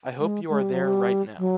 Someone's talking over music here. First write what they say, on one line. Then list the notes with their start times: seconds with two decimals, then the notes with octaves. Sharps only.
I hope you are there right now.
0.19 G#3
0.49 G#3
0.61 G3
0.73 F#3
0.85 G3
1.38 F#3